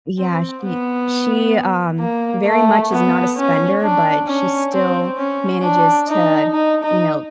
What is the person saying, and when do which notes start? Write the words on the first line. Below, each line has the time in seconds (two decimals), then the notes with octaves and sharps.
Yeah, she she, um, very much is not a spender, but she still manages to, you know,
0.19 C4
0.64 B3
2.00 A#3
2.45 A3
2.92 B3
3.37 C#4
3.82 D4
4.27 C#4
4.73 C4
5.18 C#4
5.63 D4
6.09 D#4
6.53 D#4
6.83 D#4